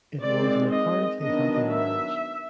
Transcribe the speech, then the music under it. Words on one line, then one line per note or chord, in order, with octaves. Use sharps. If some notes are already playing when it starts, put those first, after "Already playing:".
It was an apparently happy marriage.
D#3 G#3 C4 D5
D#5
D#3 F#3 B3 D4 D#5
E5